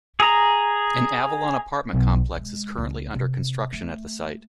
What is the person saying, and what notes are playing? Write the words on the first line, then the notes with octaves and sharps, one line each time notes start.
An Avalon apartment complex is currently under construction at the site.
G#4 A#5
B1
G#3
C#2
C3
A3